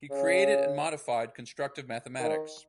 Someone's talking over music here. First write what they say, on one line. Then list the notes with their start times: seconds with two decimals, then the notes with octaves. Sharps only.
He created and modified constructive mathematics.
0.10 C#3
2.19 D#3